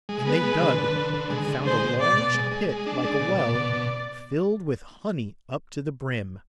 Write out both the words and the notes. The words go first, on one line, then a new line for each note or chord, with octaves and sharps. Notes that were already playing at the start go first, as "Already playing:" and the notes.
And they dug, and found a large pit like a well, filled with honey up to the brim.
G#3
B3 B4
G#3
D3
D3
D3
D3
G#3
D3
G#3 C5
B2
B2 D5
B2
G#3
G#3
G#3
D4
G#3 D5
B2
B2
B2
B2